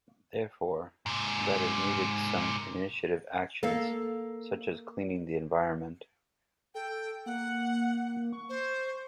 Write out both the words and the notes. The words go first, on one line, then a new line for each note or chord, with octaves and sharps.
Therefore, that is needed some initiative actions such as cleaning the environment.
G#2 C3
A#3 A4 F5
A4 G5
A#3 F#5
C#6
C5